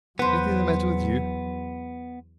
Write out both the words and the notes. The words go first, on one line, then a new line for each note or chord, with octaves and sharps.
Anything the matter with you?'
E2 F#3 B3 B4 C5